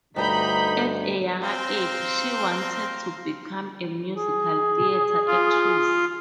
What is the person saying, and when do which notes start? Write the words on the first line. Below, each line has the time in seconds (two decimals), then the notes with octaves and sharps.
At a younger age, she wanted to become a musical theatre actress.
0.16 D2 G2 D#4 A#5 B5 G6 B6
1.43 C4 F5 G5 A#5 C6
4.15 G#4
5.26 F4